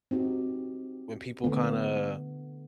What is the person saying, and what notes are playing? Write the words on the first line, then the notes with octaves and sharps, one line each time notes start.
when people kinda
C4 D#4 F#4 G4
D3 A3 B3